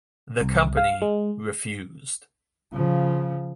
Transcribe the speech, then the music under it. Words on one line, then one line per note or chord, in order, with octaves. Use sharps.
The company refused.
C2
F5
G#3
C#3 F3